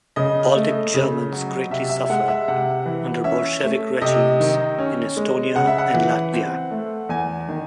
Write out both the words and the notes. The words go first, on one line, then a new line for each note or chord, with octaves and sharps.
Baltic Germans greatly suffered under Bolshevik regimes in Estonia and Latvia.
C#3 D#5
A3
C#3
F#3
C3 E5
E5
G#3 F#5
E5
C3 F#5
E3
C#4 E5
A3
C3 D#5
D#3
C#4
G#3
C#3 F#5
E5
F#5
E3
C4
A3
E2 G#5
D#3